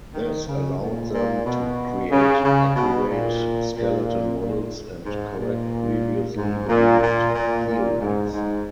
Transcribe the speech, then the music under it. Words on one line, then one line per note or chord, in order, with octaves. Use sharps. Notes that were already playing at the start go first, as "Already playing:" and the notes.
This allowed them to create accurate skeleton models and correct previously believed theories.
D#3
C#3
A#2
A#2
B2
C#3
C#3
B2
A#2
A#2
A#2
G#2
A#2
G#2
A#2
A#2
A#2
A#2
G#2
G#2